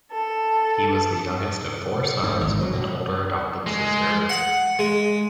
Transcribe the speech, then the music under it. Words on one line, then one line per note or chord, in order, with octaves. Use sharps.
He was the youngest of four sons, with an older adopted sister.
A4
G#2
G#1
F#3
B2
G#3
F#5
G#3